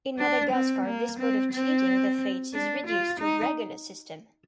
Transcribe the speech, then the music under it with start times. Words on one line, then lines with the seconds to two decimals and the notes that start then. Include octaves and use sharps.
In Madagascar this mode of cheating the fates is reduced to a regular system.
0.19 D4
0.52 C4
0.86 A#3
1.20 C4
1.52 C4
2.53 D4
2.87 F4
3.20 D#4